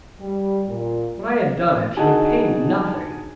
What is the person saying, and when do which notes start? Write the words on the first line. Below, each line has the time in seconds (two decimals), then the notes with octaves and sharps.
When I had done it, he would pay me nothing.
0.19 G3
0.67 A#2
1.97 D3 D#4 F#4 G#4 A5